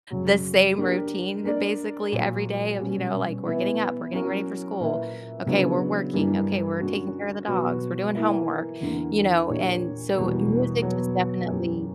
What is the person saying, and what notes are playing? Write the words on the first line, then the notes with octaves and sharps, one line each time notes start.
the same routine basically every day of, you know, like, "We're getting up, we're getting ready for school; okay, we're working, okay, we're taking care of the dogs, we're doing homework," you know? And so, music is definitely
F#2 C#3 F#3
A#3 D4 G4 A#4
A#3 D4 A#4 D5
A#2 F#3 A#3
B2 G3 C#4
E3 B3 E4
F#3 C#4 F#4 A#4
A#2 A#3 E4 B4 E5
C#3 F#3 B3 D4
G2 E3 G3 A#3
D3 A#3 C#4 F#4
B2 F#3 B3 F#4
E3 A#3 E4
E2 D3 A#3
A#2 A#3 D4 G4 C#5
E2 B2 G3 A#3
B2 F#3 B3
F#2 E3 A#3 C#4 G4